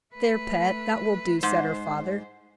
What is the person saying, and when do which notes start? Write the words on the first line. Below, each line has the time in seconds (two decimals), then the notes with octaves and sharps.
"There, pet, that will do," said her father.
0.15 A3 B4
1.43 G#2 C5